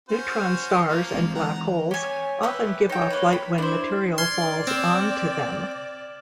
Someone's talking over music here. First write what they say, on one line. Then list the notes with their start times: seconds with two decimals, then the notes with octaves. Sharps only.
Neutron stars and black holes often give off light when material falls onto them.
0.09 C#4 F#4 C5
0.88 F3 A#3
1.14 E3 G#3 C4
1.35 F#5 A#5
1.91 G4 C#5 G#5
2.43 G4 B4 E5
2.89 D#4 C#5 G5
3.10 A#3 B4
3.33 B5
3.58 D4 E4 C5
4.18 D5 C6 F6 G#6
4.67 C4 F6 E7